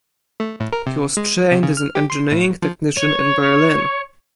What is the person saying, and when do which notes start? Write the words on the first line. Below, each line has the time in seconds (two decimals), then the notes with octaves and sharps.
He was trained as an engineering technician in Berlin.
0.40 A3
0.60 A2
0.73 A#4
0.86 C3
1.17 G#3
1.52 C3
1.63 C#3
1.77 F6
1.95 G4
2.10 C6
2.32 A2
2.62 F3
2.97 C#5